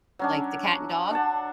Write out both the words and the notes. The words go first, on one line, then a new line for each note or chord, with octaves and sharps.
like the cat and dog,
F#3 C#4 D4
D4 F#5 A5